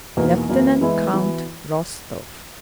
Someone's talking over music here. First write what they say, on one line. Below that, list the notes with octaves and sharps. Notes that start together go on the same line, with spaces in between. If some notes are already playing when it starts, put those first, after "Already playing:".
"Lieutenant Count Rostov."
E2 B2 A#3 D#4
F#2 E3 A#3
E3 G#3 B3 E4
E3 B3 F#4